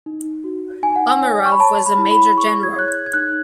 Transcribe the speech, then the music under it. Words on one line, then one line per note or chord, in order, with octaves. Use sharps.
Omarov was a major general.
D#4
F#4
D#4 G#5
F#5
G#5
C#5
C#6
B5
C#5 A5
B5
E4
B5
G#4 C#6
G#6
C#5 F#6
G#6
G#6
D#4 F#6